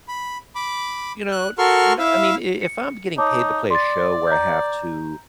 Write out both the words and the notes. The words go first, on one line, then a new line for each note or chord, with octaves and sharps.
You know, n I mean, i if I'm getting paid to play a show where I have to
B5
B5 D6
F#6
F#4 A4 A#4 C6 C#6 F6
E4 E5 F5
C#7
D#4 C#5 A5 D6
D5 C6 A6
A#5 G6